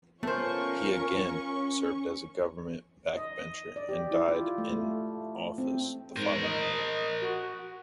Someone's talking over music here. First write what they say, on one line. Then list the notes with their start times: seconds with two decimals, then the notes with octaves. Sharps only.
He again served as a government backbencher, and died in office the following year.
0.23 A3 B3 C#4 F4 A#4 C5 C#6
3.17 D#5
3.76 D5
3.89 G4
4.11 E4
4.28 F4
4.58 A3
4.72 A3
5.58 C4
6.16 G#2 A#4 C5
6.43 D#5
7.22 F#4